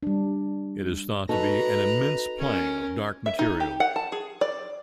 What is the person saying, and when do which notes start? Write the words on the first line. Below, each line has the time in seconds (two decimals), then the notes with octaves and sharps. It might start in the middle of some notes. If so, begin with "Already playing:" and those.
It is thought to be an immense plain of dark material.
0.03 G3 D4
1.29 D#4 F#4 A4 B4 A#5
2.39 C#4 A#4
3.26 E5
3.39 D#4
3.60 G4
3.80 F#5
3.96 A5
4.12 G#4
4.41 D5